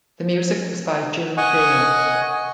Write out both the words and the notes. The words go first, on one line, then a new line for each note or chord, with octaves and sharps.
The music was by Jim Dale.
D#5 F#5 G#5 C#6